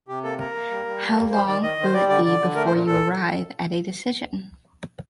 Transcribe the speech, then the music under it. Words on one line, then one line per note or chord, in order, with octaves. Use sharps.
How long will it be before you arrive at a decision?
C3 G4
A#3 A4
A#3 A#4
A#3
G3
G3
A#3
G3
G3 C5
D#3 D5
D#3 D#5
D#3
C5
G3 D5
D3 D5
D3 D5
D3
A3 A#4
C5
A#2
A#2 A4